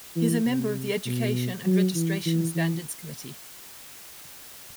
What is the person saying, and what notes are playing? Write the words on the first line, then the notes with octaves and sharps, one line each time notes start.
He is a member of the Education and Registration Standards Committee.
E3
C3
B2
F#3
E3
E3
E3